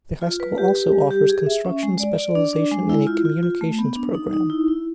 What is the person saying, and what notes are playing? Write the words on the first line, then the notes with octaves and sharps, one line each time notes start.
The high school also offers a construction specialization and a communications programme.
F4
B4
G4
G4
G3
G4
G#4
E5
C#4
G#3
D5
D5
D4
D4
G#3
E4
F4
F4
F4
A3
B3
D4
D#4
D#4
E4
E4